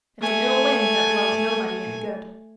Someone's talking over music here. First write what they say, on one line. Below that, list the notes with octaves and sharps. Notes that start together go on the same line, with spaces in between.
"It's an ill wind that blows nobody any good."
A3 G#5